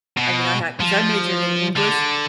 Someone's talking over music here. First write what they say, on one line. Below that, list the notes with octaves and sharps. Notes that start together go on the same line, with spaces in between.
I mean, I had 'cause I majored in English
B2
F3
D3